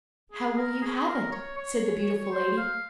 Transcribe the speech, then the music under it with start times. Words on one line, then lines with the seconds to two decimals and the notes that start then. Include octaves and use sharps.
"How will you have it?" said the beautiful lady.
0.32 G#4
0.57 A#4
0.82 G#4
1.07 A#4
1.32 C#5
1.57 C#5
2.32 C5
2.57 F5